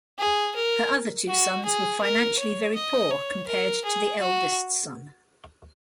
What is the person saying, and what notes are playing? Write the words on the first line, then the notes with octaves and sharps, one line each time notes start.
Her other two sons were financially very poor compared to the eldest son.
G#4
A#4
F#4
G#4
A#4
C#5
D#5
C#5
A#4
G#4
F#4